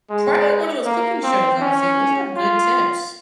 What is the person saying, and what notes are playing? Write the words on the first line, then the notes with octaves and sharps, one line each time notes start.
Probably one of those cooking shows, honestly, those have good tips.
G#3
A#3
C4
C#4
F4